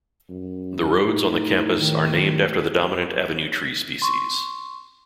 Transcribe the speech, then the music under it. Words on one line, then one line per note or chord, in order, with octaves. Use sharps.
The roads on the campus are named after the dominant avenue tree species.
F#2
A2 D#4
D#3
C6 C#6